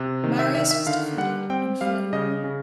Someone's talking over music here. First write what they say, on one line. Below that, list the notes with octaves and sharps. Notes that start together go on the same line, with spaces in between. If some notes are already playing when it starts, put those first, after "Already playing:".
Marius was defeated and fled Rome.
Already playing: C3
D#3
E5
D#3 E5
E5
D3 F5
G3 F#5
C4 G5
G3 F5
C#3 D#5
C#3